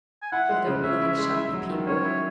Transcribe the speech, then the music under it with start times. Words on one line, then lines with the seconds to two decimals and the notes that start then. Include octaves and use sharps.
I don't like shoppy people.
0.22 G#5
0.32 E4 F#5
0.49 G#3
0.66 C#3
0.84 C#4 E5
1.01 E4
1.18 G#3
1.35 E4
1.53 F#3
1.70 D#3
1.87 C#4 C#5
2.04 E4